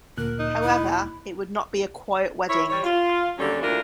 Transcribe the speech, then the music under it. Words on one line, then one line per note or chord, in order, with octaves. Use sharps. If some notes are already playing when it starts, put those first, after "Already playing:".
However, it would not be a quiet wedding.
D2 A#2 A#4 F#6
D#4
E4
E4 A#4 C#5
G3 C#5
F4
D#2 D3 F#3 G3 C#4
D2 D4 E4 F4 A#4